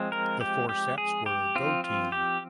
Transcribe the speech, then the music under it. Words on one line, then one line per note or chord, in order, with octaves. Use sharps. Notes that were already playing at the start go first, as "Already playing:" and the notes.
The four sets were Go Team!
Already playing: F3 G#3 C4
A#4
G4
G4
G#4
G4
F3 C4 F4
F4
G4